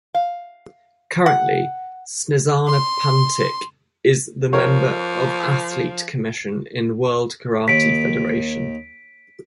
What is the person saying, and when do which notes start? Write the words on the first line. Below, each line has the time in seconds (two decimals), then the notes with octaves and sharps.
Currently, Snezana Pantic is the member of Athlete Commission in World Karate Federation.
0.14 F5
1.26 F#5
2.67 C6
4.53 F3 A#4 C#5
7.68 D#2 B6 D7